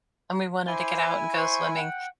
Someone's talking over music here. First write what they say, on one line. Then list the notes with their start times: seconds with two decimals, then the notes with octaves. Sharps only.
and we wanted to get out and go swimming,
0.67 E4 C5 G#5 D6
1.33 C5 C#6
1.74 F#5 G5